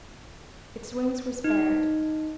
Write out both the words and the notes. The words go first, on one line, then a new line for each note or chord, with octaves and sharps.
Its wings were spared.
D#4